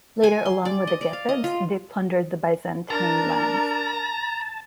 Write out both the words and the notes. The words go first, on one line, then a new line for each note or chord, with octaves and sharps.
Later along with the Gepids they plundered the Byzantine lands.
G#5
C6
D5
D#5
D5
F5
D#5
F4
D4 A#4 A5 A#5